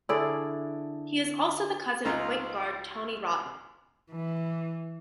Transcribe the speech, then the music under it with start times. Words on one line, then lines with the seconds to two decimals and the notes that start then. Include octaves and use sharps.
He is also the cousin of point guard Tony Wroten.
0.09 D3 E4 G#4 D5
2.05 C#2 D#4 F4 A#5
4.12 E3